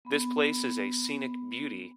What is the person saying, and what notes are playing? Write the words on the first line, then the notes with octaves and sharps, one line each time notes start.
This place is a scenic beauty.
B3 B5